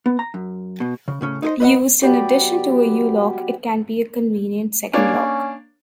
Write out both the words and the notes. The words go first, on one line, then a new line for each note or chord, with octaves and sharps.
Used in addition to a U-lock it can be a convenient second lock.
B3
A#5
F#2
B2
C#3
A2 C#3 C#4
D#4 E4 G#4 C5 D#5
B4 C5 D#5 E5 F#5 B5
F#3 B3 G4 D5
A#3 C#4 D4 C#5